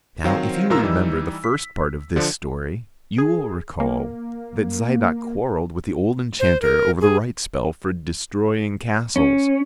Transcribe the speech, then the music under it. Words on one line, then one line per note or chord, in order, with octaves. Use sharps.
Now, if you remember the first part of this story, you will recall that Zidoc quarreled with the old enchanter over the right spell for destroying castles.
D#3 F#3 C4 A#4 C5 F5
B1 G#2 F4 A#4 A#5 E6
E3 G3 D#4
B6
D3 F3 D4
G#4
A#3
C5
A#4
G#4
C#4